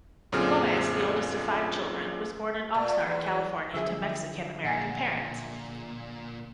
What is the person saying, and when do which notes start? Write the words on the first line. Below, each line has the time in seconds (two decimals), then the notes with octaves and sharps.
Gomez, the oldest of five children, was born in Oxnard, California to Mexican-American parents.
0.32 F#2 A#2 D3 C4 G#4 F6
2.74 A#2
3.00 E2
3.74 D3 F3 F#3 G#4 E5
4.64 A#2 F#5 G#5